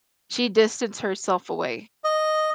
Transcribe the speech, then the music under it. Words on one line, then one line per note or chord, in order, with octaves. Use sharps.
she distanced herself away.
D#5